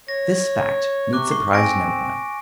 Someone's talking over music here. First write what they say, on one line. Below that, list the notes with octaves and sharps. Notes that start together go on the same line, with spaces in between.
This fact need surprise no one.
C#5 A#6
C3 C#6 D6 F#6
C#6 C7
C4 G#5 A#6 D7